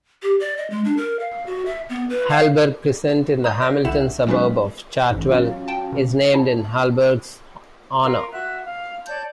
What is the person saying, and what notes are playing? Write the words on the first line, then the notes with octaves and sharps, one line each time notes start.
Halberg Crescent, in the Hamilton suburb of Chartwell, is named in Halberg's honour.
G4
D5
D#5
G#3
D4
A#4
F5
F#4
E5
B3
B4
F5
A#5 D#6 G6
D5 A#6
C2 D3 E4 E5 F#5 E7
F#3 G#3 C#4 D#4 F4 B4
A1 G#2
F#3 C#4 F4
G5 A5
C#3
E4 A5
F4 A#4
F#4 E5 F#6
F5
C#5 D5 A5 G6